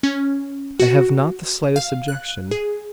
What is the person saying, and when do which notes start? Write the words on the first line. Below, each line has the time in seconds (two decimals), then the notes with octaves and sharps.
I have not the slightest objection.
0.03 C#4
0.80 F#4
1.76 F5
2.08 F#6
2.51 G#4